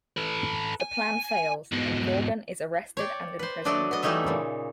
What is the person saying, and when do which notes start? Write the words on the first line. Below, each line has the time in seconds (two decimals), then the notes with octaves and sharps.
The plan fails, and Morgan is arrested and imprisoned.
0.17 A4 B4
0.80 G#5
1.72 G#2 B2
2.97 C#5 D5 G5
3.39 B4 C5
3.65 F#3 A3 D4 F#4 D5 D#5
3.91 B3 D#5
4.02 E3 G3 A3 D#4 C#5 E5
4.27 A#2 C#3